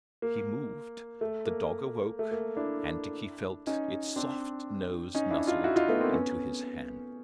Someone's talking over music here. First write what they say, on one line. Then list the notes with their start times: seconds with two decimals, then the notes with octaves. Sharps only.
He moved, the dog awoke, and Dickie felt its soft nose nuzzled into his hand.
0.22 A#3
1.21 A3
1.46 A#3
2.19 A3
2.31 A#3
2.56 D4 E4
3.67 C#4 D#4
4.16 C4 D4
5.15 C#4 D#4
5.31 D4 E4
5.47 D#4 F4
5.64 E4 F#4
5.76 D#4 F4
5.89 A3 B3
6.00 A#3 C4
6.13 B3 C#4